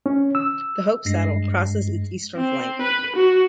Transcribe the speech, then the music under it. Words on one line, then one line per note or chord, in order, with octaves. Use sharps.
The Hope Saddle crosses its eastern flank.
C#4
E6
G2 G#3 A#6 C7
C4
B4
F#4